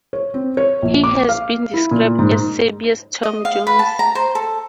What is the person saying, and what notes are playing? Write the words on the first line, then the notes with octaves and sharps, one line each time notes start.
He has been described as "Serbia's Tom Jones".
C#5
C4
C#5
A#1
D6
F5
E4
A#2
G#2
D#5
F5
B4
A5
A#5
C5
A4